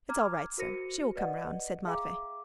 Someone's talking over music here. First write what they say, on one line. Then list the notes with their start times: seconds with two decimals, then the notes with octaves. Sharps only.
"It's all right, sir; she will come round," said Matvey.
0.09 A#5 D6 F6 G#6
0.58 F#4 A#4 C5 A#6 C#7 D#7
1.16 B4 D5 D#5 F#5
1.86 G#4 E5 F5 G5 A#5 D6